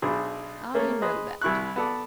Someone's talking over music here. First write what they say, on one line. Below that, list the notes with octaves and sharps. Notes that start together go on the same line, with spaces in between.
I know that.
B1 B2 D4 G#4 C5
A3 A#3 C#4 G#4
G#4 B4 C5 D#5
C2 E4 C#6 F#6
B3 A4 D5